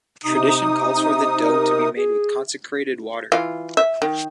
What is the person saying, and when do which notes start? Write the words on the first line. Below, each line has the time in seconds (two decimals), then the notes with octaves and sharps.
Tradition calls for the dough to be made with consecrated water.
0.24 C3 D#4 D#6
1.41 A#4
1.96 G#4
3.32 E3 F4
3.77 E5
4.02 D#3